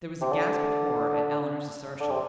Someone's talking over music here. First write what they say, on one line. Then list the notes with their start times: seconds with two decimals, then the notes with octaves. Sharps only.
There was a gasp of horror at Eleanor's assertion.
0.21 C3
0.32 D3
2.00 D3
2.10 C3